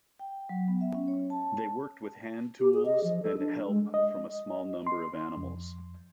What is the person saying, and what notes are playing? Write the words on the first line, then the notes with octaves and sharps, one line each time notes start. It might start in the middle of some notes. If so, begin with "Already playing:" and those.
They worked with hand tools and help from a small number of animals.
G5
F#3
B3
E5
C#4
C#5
A5
G4
G#4
D#5
F3
A4
D4
G#3
D#5
C6
F2